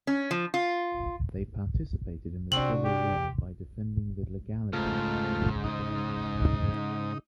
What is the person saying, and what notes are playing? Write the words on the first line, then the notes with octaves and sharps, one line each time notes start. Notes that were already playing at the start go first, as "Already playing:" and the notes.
They participated in the Civil War by defending the legality of the republicans.
C#4
F3
F4
C3 C4 D4 F#4 F#7
G4
G#2 C#3 A3 F4
D#4